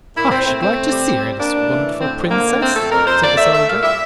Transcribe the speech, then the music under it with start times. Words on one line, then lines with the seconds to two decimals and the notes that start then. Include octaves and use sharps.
"I should like to see her, this wonderful Princess," said the soldier.
0.16 A#2 E4
0.31 A#2 C4
0.46 A3 C4
0.62 A3 C4
0.78 C3
0.92 G3
1.07 G3
1.23 G3
1.39 A#3 D4
1.54 A2
1.69 E3
1.85 A2
2.00 D3 C4
2.16 F2
2.30 D3 A#3
2.46 D3
2.61 A3 C4
2.76 F2 A4
2.91 F2 A#4
3.07 F2 C5
3.22 A#2 D5
3.37 A3 E5
3.53 A3 E5
3.68 A#2 F5
3.83 G3 E5